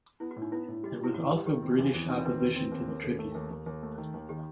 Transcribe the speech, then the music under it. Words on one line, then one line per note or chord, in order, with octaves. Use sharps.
There was also British opposition to the tribute.
B3 E4
F#4
A2
D#4
B3 E4
A2
G3 F#4
G3 E4
A2 F#4
G3
D#3 G4
C4
E2 D#4 D#5
E2 C5
C4 D#4 D#5
D#3 B4
E2 B4
C4
D#2
D#2
D#2 A4
A3
D#2
D#2
D#2
A3
D#3
D#2
D#3 G4